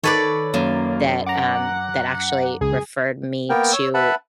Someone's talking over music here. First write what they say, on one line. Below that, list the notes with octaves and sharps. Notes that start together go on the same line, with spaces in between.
that, um, that actually referred me to
D#3 A4 B4 C#5 D5
F#2 A#3
F#5 A#5 D6
C#2 G#4
A#3 B3 A#4 G5
C#5 E6
B4 E5 F#5 A5 B5